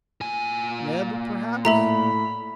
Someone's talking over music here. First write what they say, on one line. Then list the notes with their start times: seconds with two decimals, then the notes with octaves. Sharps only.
"Neb, perhaps?"
0.21 A#2 G#5
1.65 A2 A4 E5 A#5 B5